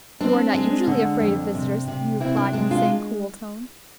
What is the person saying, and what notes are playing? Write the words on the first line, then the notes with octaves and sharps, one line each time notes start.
"You are not usually afraid of visitors," he replied in the same cool tone.
C4 D4
G#3
D3
F2
C3
C3
C3 C4 E4
D4
G#3 D4
D4 F4